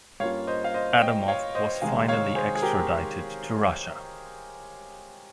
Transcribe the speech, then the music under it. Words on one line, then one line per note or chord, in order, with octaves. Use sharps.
Adamov was finally extradited to Russia.
G2 G3 A#3 C#4 F4 C#5 F5
C5 D#5
F5
C5 D#5
D#5 G5
C#5 F5
C5 D#5
C3 D#3 G#3 D#4 F5 G#5
C#5 F5
G#4 C5
G#4
G4 A#4